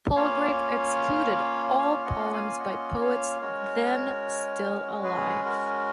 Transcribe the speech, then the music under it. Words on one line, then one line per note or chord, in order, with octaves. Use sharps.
Palgrave excluded all poems by poets then still alive.
A#3 C#4 F4 C#5 F5
C#5 F5
D#5 F#5
F5
F#5
F5 G#5
D#5 F#5
C#5 F5
G#3 C#4 F#4 A#4 C#5
G#4 B4
F#4 A#4